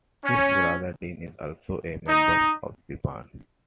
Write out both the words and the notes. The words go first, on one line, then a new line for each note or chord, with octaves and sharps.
Ed's brother Dean is also a member of the band.
C#4
D#4